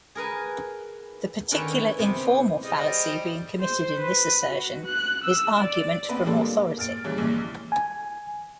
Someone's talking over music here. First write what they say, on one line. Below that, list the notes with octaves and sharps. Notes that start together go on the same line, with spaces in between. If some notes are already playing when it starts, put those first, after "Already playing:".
The particular informal fallacy being committed in this assertion is argument from authority.
G#4 A#4 B4 G#5
D3 D#3 C#4 B4
E4
C3 B3
G3 G#4 C5 D#5
C5
B4
F#4
F#6
E6
D5
B3 C4 B4 C5
A#2 G3 G#3 B3 D4 A4
A#3
A#2 F6 A6 D7
G2 C#3 E3
A#1 A#2 E3 G#3
G#5